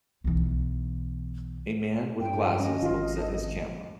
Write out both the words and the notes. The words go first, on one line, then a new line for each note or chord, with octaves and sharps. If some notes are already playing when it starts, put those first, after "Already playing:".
A man with glasses looks at his camera.
B1 E3
G2 G5
C#4 D#5
G#1 D#3 F4
A4